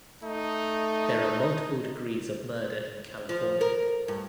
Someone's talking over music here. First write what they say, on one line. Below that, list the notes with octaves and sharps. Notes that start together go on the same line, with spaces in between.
There are multiple degrees of murder in California.
A3 D#4
F3
A#4
G2